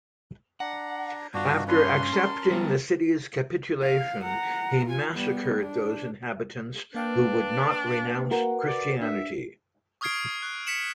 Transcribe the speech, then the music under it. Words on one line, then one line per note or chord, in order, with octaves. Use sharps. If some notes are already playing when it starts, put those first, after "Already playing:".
After accepting the city's capitulation, he massacred those inhabitants who would not renounce Christianity.
D4 F#5 A#5
G2 D4 F4 F#4
C#4 D4 B4 C6
A#4 A5
F#3 G3 B3
F5
F#5 A#5
F4 G#5
G3 B3
D4
A#3 D4 B4 F5 G5
F#4 A#4 F#5
D5
D4 E5
C#6 D#6 F6 G#6 C7 D7
C#6 F#6
B6 C#7 E7 F#7